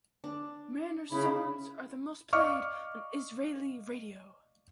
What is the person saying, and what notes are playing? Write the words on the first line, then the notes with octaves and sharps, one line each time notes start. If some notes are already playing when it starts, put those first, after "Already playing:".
Manor's songs are the most played on Israeli radio.
D4
C#3 E4 B5
D5 D#5 F5 C#6 D6 F6